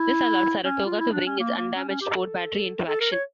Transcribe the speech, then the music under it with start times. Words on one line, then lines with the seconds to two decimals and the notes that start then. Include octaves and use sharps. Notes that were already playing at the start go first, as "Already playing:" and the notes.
This allowed "Saratoga" to bring its undamaged port battery into action.
Already playing: E4
0.65 C#4
0.86 F4
1.00 E4
1.12 D4
1.26 C#4
1.39 A#3
1.57 A#3
1.76 C#4
1.89 C#4
2.01 G4
2.14 A4
2.88 A4
3.01 A#4
3.12 C#5